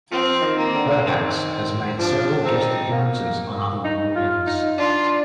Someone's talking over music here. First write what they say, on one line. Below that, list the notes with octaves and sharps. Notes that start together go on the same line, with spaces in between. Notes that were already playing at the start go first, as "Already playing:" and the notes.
Perhacs has made several guest appearances on other recordings.
F3 C4
D#3
A#3
D3
D#3 C4
C4
F3 D4
C4 D#4
A#3
D#4
F4
D#4
D4 F4